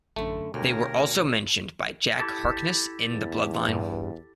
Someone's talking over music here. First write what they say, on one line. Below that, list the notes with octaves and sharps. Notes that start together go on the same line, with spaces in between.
They were also mentioned by Jack Harkness in The Blood Line.
A1 F#2 D3 A3
D2 B2 G4 A#4 C#5 F5
E4 G4 A4
E2
G2